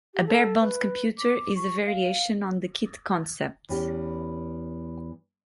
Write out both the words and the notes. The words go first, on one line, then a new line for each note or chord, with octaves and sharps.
A barebones computer is a variation on the kit concept.
G4
A4
B4
D6
C#6
F5
E2 E3 C#4 G4